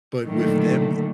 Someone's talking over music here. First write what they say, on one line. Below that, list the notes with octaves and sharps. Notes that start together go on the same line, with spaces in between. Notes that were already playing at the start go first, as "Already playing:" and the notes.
but with them e
A#2 D3 D#3 F#3 A3